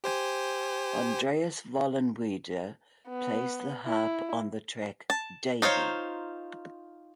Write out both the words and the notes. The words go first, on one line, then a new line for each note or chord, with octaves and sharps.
Andreas Vollenweider plays the harp on the track "Davy".
G4 C5 G#5
B3
E4
A5
D#4 F4 C5 C#5